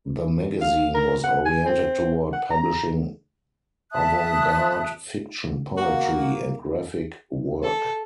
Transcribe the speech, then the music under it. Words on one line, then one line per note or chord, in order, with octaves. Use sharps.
The magazine was oriented toward publishing avant garde fiction, poetry, and graphic work.
F5
A#4
F#5
G#5
C4
F#5
A#5
E5 A5 D#6 F#6
A#3 F#4
A4